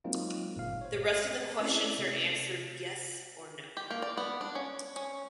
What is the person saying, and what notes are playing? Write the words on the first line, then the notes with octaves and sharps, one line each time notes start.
The rest of the questions are answered "yes" or "no".
F#3 G#3 A#3 C4 D#4 F4
G1 A#2 F5
C5 C#5
A3 C4 C#4 E4 A4 D5
C3
G4
A#3
D5
B3
D4
C#4
C#4